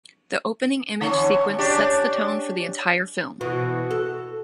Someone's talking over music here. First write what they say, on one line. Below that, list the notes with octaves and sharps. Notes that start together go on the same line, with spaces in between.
The opening image sequence sets the tone for the entire film.
D3 C#4
C#4 D4 G4
B2 E3 F#4
A4